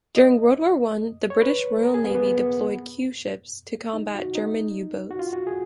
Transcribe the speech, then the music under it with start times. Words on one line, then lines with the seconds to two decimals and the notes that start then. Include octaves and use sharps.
During World War One, the British Royal Navy deployed Q-ships to combat German U-boats.
0.16 D#5
1.30 C#5
1.42 B4
1.83 A#4
1.94 G#4
2.04 B3
2.15 B3
3.93 D#4
4.15 F#4
4.35 D#4
5.11 F#4
5.19 F4
5.33 F#4
5.47 G#4